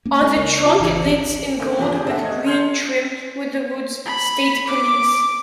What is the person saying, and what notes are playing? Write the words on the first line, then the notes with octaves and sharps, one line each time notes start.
On the trunk lids in gold with green trim were the words "State Police".
A#3 C#4
G#3 C#4 D4 A4 G#5
C#2 A#4 C#5 D#5
C4 F4
G#1 E3 D#5
D3 A#3 C4 C#4
E2 G#2 C3 F3
D4 G4 G#4
D2 A4 E5 F#5
A3 D#5 G#6
C6 F6 G6 G#6 C7 C#7
B5
D6